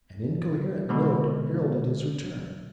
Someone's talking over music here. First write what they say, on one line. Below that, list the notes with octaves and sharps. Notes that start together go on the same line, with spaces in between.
An incoherent note heralded his return.
B2 D3 G#3